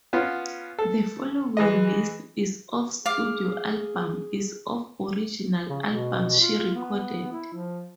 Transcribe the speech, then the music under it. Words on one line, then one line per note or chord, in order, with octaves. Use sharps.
The following list is of studio albums is of original albums she recorded.
B3 C#4 F4
A4
E3 G#3 D#5
G#4 F5 D6
C#3
B2
F4
B3
E4
F3